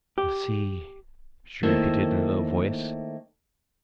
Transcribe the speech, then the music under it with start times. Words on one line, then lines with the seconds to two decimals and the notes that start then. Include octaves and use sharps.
"The sea," she repeated in a low voice.
0.18 G4
1.63 D#3 A3 A#3 E4 C5 C#5